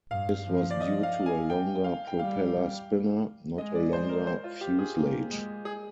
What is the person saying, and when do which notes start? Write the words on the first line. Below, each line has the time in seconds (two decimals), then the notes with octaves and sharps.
This was due to a longer propeller spinner, not a longer fuselage.
0.11 G2 F5
0.46 F3
0.71 D5
0.81 D#5
1.03 F5
1.26 G#5
1.50 G5
1.84 F5
2.07 G5
2.19 G3 F5
3.58 G#3 D#5
3.75 D5
3.93 C5
4.09 A#4
4.27 C5
4.44 F4
4.61 G4
4.79 G#4
4.96 A#3
5.31 G#3
5.65 G#4